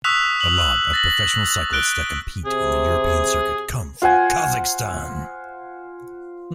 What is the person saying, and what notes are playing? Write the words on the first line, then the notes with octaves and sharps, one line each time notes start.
A lot of professional cyclists that compete on the European circuit come from Kazakhstan.
C#6 D#6 E6 F#6 B6 F7
F7 F#7
A6 A#6 F#7
F#6 D7 G7
C3 G#4
F4 C5 F#5 G#5